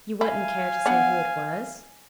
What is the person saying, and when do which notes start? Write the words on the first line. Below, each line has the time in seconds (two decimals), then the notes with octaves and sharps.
'You wouldn't care to say who it was?'
0.21 E4 F5 G#5
0.86 B3 D4 F#5